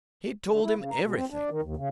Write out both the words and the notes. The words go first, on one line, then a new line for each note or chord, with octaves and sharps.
He told him everything.
D3
E4
C#3
A#5
B2
C4
D4
D#3
D#2
C#3